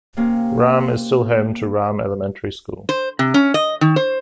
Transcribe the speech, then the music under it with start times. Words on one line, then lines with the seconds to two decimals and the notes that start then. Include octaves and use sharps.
Rhame is still home to Rhame Elementary School.
0.17 C3 A#3 C#4
2.89 C5
3.19 C3
3.34 C#4
3.54 D#5
3.81 D#3
3.96 C5